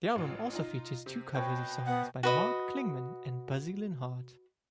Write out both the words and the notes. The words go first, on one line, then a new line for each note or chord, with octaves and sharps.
The album also features two covers of songs by Mark Klingman and Buzzy Linhart.
A1 F4
D#4 F4
C3
B2 C4 B4 C#5 G5
B3 F#5
F#4 B4 D#5